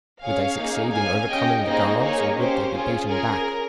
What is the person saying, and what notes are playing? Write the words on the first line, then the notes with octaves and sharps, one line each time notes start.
Would they succeed in overcoming the guards, or would they be beaten back?
C#4 G#4 C#5 F5
A#3 D#4 G#4
C#4 G#4 F5 G#5
C#4 G4 D#5 G5
A#3 D#4 G#4 C5 D#5
A#3 D#4 G#4 A#4 C#5
C#4 G4 C5
C#4 F4 G#4
C#4 G#4 A#4